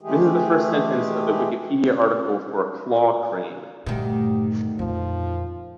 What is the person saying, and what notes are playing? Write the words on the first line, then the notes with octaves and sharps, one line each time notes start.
This is the first sentence of the Wikipedia article for “claw crane”.
E3 G#3 A3 G4 G#4
D2 G2 A#2 D#3 G4
F2 A#2 F3